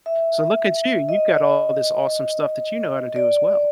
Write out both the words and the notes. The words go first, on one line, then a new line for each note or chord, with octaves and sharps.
So look at you, you've got all this awesome stuff that you know how to do as well.
E5
D#5
D5